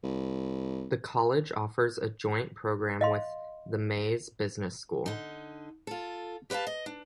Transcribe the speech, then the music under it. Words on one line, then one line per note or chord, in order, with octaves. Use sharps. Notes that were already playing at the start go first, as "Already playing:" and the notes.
The college offers a joint program with the Mays Business School.
C2
D#5 F5 C6
D3 D#4
F4 A4
G4 B4 D#5 F5 A5
D#5
D4